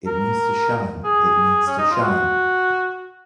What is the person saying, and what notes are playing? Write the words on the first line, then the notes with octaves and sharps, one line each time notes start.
It needs to shine! It needs to shine!
A#4
G#4
C#4
D#4
F4
F#4